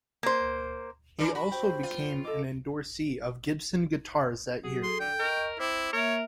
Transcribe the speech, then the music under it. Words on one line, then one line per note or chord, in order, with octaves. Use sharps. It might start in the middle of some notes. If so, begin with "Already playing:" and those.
He also became an endorsee of Gibson Guitars that year.
A#3 C5
E3 D4 A#4
F#4 B5
C5 G5
F4
A4 D#5 D6
F#3 F#4 G#4
A4 C6
D3 G5
A#4 D#5 C#6
C4 E4 D6
A#3 A#4 C#5 E5